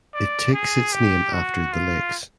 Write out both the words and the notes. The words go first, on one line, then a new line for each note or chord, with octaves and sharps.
It takes its name after The Lakes.
D5
G#4
G4
F#4
F4